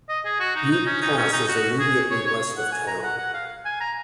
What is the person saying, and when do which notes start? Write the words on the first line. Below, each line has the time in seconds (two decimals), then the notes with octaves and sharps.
Ute Pass is immediately west of town.
0.09 D#5
0.25 G#4
0.40 F#4
0.56 D#4
0.71 D#4
0.86 C#4
1.02 D#4
1.18 C#4
1.33 D#4
1.48 F#4
1.80 G#4
2.11 C#5
2.27 C#5
2.57 F#5
2.72 G#5
2.88 A#5
3.03 F#5
3.18 F#5
3.34 F5
3.65 G#5
3.80 A#5